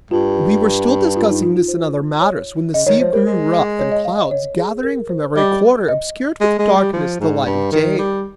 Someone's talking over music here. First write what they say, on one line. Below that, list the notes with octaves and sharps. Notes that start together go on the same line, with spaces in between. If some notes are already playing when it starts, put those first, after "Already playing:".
We were still discussing this and other matters when the sea grew rough, and clouds, gathering from every quarter, obscured with darkness the light of day.
G2 F4
F4
D#4
F4
F4
C5
C#5
C#3 D#5
D#3 C#5
F3 C5
G3 A#4
G#3
C#5
D#5
F5
D#5
C#5
G#4
A#4
C5
G3 D#5
D#5
G#3
G#3
G3
F3
G#2
G2
D#3
G3